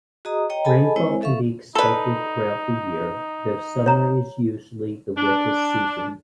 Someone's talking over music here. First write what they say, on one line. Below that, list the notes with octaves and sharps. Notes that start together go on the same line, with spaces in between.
Rainfall can be expected throughout the year though summer is usually the wettest season.
F#4 G#4 D#5 A#5 D#6
C#5 D#5 G5 A#5
G#4 A4 D#5 G#5 A5 B5
G#3 C4 E4 C5 C#5 G#5
A4 E5 F5 C#6
D#4 A4 B4 D5 B5
C#5 A#5
D4